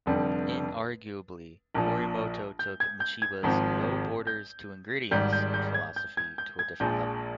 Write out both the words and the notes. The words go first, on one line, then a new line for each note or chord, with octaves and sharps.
Inarguably, Morimoto took Michiba's "no borders to ingredients" philosophy to a different level.
F1 F2 D3 G3
A#1 A#2 F3
G6
G#6
G6
G#6
G#1 G#2 F3 C4
G6
G#1 G#2 G3 G6
G6
G6
G#6
G6
G#6
G6
G#6
A#1 A#2 F3 G#3 G6